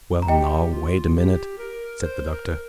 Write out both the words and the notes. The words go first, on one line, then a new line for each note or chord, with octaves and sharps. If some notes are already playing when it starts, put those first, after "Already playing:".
"Well now--wait a minute," said the Doctor.
A#5
G4 D#5 G5
F4
G4
A#4
C5
A#4